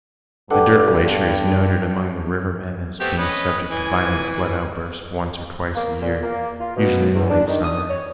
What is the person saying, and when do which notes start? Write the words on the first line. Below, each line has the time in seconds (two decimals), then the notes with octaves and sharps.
The Dirt Glacier is noted among the river men as being subject to violent flood outbursts once or twice a year, usually in the late summer.
0.50 G2 D4 G4 A4 B4 F#5
3.00 A3 B3 C4 G4
3.18 C#4 B4 D#5
3.71 E3 G#5
5.75 A#3
6.02 A#2
6.23 A#3
6.61 F4
6.77 B2
7.14 E2
7.30 D4
7.47 D#3
7.64 D#6
7.90 C#5